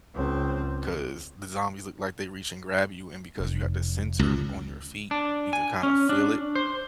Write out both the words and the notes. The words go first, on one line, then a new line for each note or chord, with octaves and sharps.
'cause the zombies look like they reach and grab you, and because you got the sensors on your feet, you can kinda feel it
C#2 C4
F1
C#2
D4
G#5
C#4
D4
C5